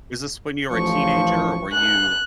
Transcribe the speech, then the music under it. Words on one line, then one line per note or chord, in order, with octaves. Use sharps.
Is this when you were a teenager or were you
A1 F3 C#6
F#6